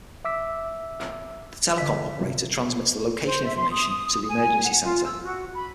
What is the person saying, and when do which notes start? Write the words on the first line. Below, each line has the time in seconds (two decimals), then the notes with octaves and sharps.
The telecom operator transmits the location information to the emergency centre.
0.25 E5 D6 E6 B6
1.78 D3 D#5 B6
2.20 C3
3.25 C5
3.45 E5
3.57 C6
3.71 D#6
4.28 G#5
4.64 F#5
4.84 F4
5.05 E6
5.23 F#4
5.53 B5